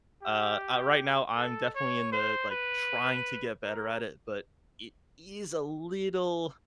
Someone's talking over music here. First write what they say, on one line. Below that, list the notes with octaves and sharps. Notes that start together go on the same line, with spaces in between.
uh, uh, right now, I'm definitely in the, like, trying to get better at it, but it is a little
G4
A4
C#5
C5
B4
A#4